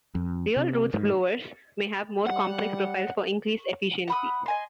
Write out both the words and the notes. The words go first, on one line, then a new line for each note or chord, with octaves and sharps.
Real Roots blowers may have more complex profiles for increased efficiency.
F2
C3
G#2
G3 F#5
F#5 B5 D#6
D#5 G#5 C6